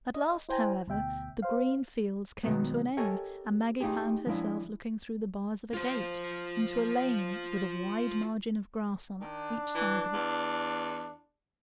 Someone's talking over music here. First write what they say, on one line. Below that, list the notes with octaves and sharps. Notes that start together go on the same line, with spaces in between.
At last, however, the green fields came to an end, and Maggie found herself looking through the bars of a gate into a lane with a wide margin of grass on each side of it.
D#5
E4 C5 G5 G#5 A#5
D2 B2 E5 G5
C5 F5
B2 D#3 F#3 G#3 B3
G4 A4 A#4 C#5 D#5 G#5
A3 D#4 F4 G4 G#4
F3 G#3 C#4 D4 E4
F4 C5
D#3 D4
E3
E2